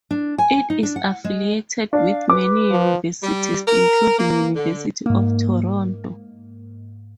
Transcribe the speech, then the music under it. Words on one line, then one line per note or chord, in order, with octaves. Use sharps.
It is affiliated with many universities, including University of Toronto.
D4
G#5
D#4
D4
F#5
G#3
D4 F5
B4 D6
F3
G3
A#4
A#3
D3
G#2 A#3